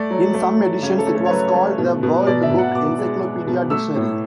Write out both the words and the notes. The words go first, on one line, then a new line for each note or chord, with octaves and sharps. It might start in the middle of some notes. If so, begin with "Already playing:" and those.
In some editions it was called the "World Book Encyclopedia Dictionary".
Already playing: A3 D5
F#3
A3
F#3
C#3 C#5
A4
A3
A4
C#5
F#3 B4
A3
B2
B2
B2 D5
E5
B2
F#5
B2 D6
G#3
G#3
B2
A3 E6
A2